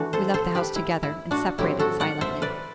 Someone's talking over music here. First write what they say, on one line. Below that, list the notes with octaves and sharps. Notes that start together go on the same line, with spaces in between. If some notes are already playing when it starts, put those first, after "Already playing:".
We left the house together, and separated silently.
Already playing: E3 A3 D4 F#4
A4 C5
A4 C5
G4 B4
E4
E4
D4 F#4
A2 F#3 C4 E4 G4
F#4 A4
D5 F#5
C5 E5
B4 D5